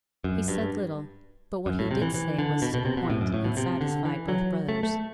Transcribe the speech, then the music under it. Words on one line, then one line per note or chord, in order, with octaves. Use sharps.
He said little; but what he did say was to the point, and satisfied both brothers.
F#2
G2
F#2
A2
C3
E3
E3
D3
B2
B2
C3
B2
A2
F#2
A2
B2
C3
D3
E3
F#3
A3
A3